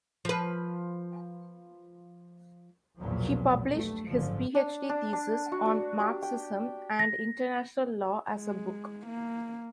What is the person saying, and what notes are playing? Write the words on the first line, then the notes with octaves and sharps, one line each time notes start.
He published his PhD thesis on Marxism and international law as a book.
F3 B4
B1 E2 A#2 F3 F#3
G2 A3
F#1 G#2 D3 F3
D4
D4
D4
F#4
F#4
G4
G5
A#6
G#3
A#3